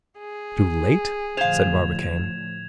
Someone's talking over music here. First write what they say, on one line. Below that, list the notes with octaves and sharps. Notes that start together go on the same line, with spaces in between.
"Too late?" said Barbicane.
G#4
A2 D3 F3 C5 F5 G#6 E7 F7